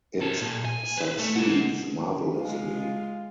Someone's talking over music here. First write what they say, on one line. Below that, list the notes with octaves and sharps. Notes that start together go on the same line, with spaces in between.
It succeeds marvelously.
G4 A4
A#2
G#5
B4 C5
A3 A4
G#3 F#5
G#3 F4